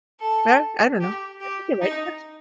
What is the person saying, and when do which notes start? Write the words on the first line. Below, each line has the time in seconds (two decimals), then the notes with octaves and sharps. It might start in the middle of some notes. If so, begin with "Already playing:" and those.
They're I don't know. I think you're right, yes.
0.20 A4
1.01 G4
1.41 G4
1.81 D#4